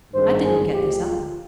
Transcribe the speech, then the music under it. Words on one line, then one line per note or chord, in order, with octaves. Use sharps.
I didn't get this up.
G#1 G2 D#3 G#3 C5
G#4
D2 D3 F3 G#3 G4
F4